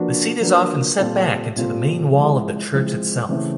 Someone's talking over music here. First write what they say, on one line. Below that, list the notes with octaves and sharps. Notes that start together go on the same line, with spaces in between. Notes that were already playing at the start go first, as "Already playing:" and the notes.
The seat is often set back into the main wall of the church itself.
Already playing: F3 A#3 D4 F#4 B4
F3 A#3 D4 F#4 B4
A#2 G3 C4 F4 A4
A#2 G3 C4 F4 A4
F3 G#3 C4 E4
F3 G#3 C4 E4
C#3 E3 A3 C4